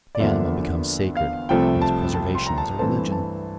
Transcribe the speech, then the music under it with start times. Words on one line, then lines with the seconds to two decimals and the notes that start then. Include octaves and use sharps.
The animal becomes sacred, and his preservation is a religion.
0.15 D5
0.19 E2 D3 F3 A#3 D4 E5
1.17 F5
1.49 C2 C3 F3 A3 G5
1.82 A5
2.14 A5
2.35 C6
2.46 A#5
2.58 A5
2.79 G2 E3 A3 C4 A5
3.12 A5